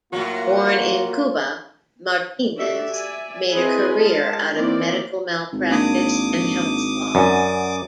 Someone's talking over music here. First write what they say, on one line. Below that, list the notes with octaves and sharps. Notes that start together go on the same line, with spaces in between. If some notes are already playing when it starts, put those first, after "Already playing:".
Born in Cuba, Martinez made a career out of medical malpractice and health law.
A2 C3 F#3 A#3 F4 F#4
F#4 G4 A4 D5 E5
D5 E5 G#5
C4 E4 G#4 B4 D#5 G#5
G#3 F4 A#4 A5
D#3 E3 A#3 C4 E4 D5
G#1
A#3 D4 D6 D#6
F#2 D5 F#5 G#5